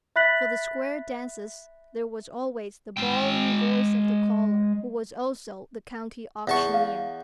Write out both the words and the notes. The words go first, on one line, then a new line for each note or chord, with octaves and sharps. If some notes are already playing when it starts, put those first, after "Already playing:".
For the square dances there was always the bawling voice of the caller, who was also the county auctioneer.
E5 B5 F#6 A6 B6 F#7
G#3 G5
E2 A5 C#6
F5